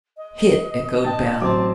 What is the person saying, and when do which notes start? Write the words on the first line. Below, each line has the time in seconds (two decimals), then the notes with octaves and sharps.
"Hit!" echoed Bell.
0.17 D#5
1.04 D4 G5 A5
1.42 A1 F#3 C4 A5 D6